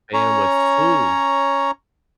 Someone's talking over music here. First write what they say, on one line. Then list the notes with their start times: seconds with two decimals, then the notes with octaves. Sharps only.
paying with food,
0.14 C#4 C#5 A#5